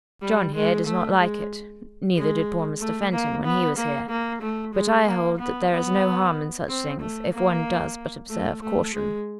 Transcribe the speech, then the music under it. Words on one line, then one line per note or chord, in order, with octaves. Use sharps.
"John here does not like it; neither did poor Mr. Fenton when he was here; but I hold there is no harm in such things if one does but observe caution."
G3
G#3
A3
G#3
G#3
A3
A#3
B3
A#3
A#3
A3
G#3
A#3
B3
B3
C4
A3
A#3
A3
A3
G#3